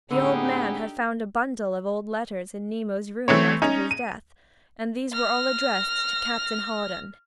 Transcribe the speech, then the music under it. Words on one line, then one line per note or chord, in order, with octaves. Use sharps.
The old man had found a bundle of old letters in Nemo's room after his death, and these were all addressed to "Captain Hawdon."
A2 D3 B3 C4 D#4 G4 G#4
E3 A3 C4 C#5
C#4 D#4
D#7
F6 A#6